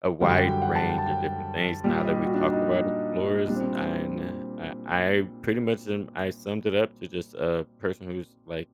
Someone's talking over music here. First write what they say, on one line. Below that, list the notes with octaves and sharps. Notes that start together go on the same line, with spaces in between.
a wide range of different things now that we've talked about explorers n and I I pretty much and I summed it up to just a person who's, like,
F#2 D3 G3 F#5
G5
G5
F#5
A5
G5
A5
G5
A#2 G3 D5
D#5
G4
F#4
D4
D#4
D#4
A#2 G3 D4
C4
D4